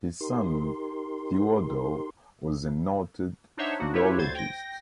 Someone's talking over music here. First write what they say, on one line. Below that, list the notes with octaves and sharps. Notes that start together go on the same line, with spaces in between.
His son Theodor was a noted philologist.
D#4 G4 A#4 C6
D4 D#4 C5 C#5 E5 F#5
A#3 D4 D#4 F#4
E4 F4 G4 B4 C#5 E5
D2 C5 G#6 A6
G5 A#6